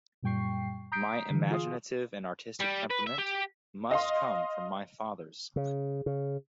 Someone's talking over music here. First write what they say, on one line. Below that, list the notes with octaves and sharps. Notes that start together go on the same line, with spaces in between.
My imaginative and artistic temperament must come from my father's side.
F#2 A#2 G3 G5 C#6 C7
A#5 D#6 G6 B6 C7 D7
D3 E3
F4 G#4 F5 C6 D#6
G3
B4
E5
G4
D#5 F5 C6
C#3
C#3